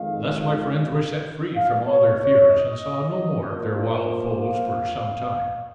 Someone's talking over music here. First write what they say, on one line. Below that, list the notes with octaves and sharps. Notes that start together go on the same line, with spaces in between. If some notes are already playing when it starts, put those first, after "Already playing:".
Thus my friends were set free from all their fears, and saw no more of their wild foes for some time.
Already playing: F2 D#3 G#3 F5
F5
C#5
C#5
D#5
A#2 F3 A#3
F5